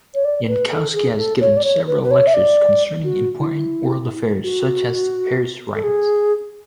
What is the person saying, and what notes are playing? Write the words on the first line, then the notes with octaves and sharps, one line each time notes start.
Jankowski has given several lectures concerning important world affairs such as the Paris riots.
C#5
D5
B4
A4
G#4
A4
C#5
D5
C#5
B4
B4
C#5
E5
D5
F#4
E4
F#4
A4
G#4